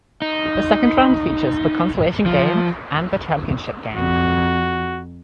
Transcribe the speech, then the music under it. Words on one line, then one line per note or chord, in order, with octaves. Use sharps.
The second round features the consolation game and the championship game.
D#4
F3
F2 F#4